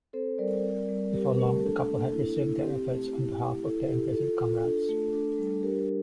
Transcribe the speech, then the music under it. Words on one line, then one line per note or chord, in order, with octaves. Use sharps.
Before long, the couple had resumed their efforts on behalf of their imprisoned comrades.
C4 A4 C5
G3 A#4 D5
C4
G3
C4 G4 A#4
A3 G4 A#4
D4 A4
A#3
E4
E4
C4 G4
A3
E4
E4
E4 A4
E4 G4
F4 A4
F4 A4
D4 A4
A3
D4
G3
D4 G4 A#4